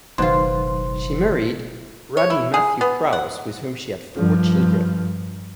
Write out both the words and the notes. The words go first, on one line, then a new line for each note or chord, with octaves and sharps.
She married Rabbi Matthew Kraus with whom she had four children.
F#1 B2 D#3 F#3 D#4 F4 C5 C6
C#5
E4
G#4
B3
F#5
G2 F3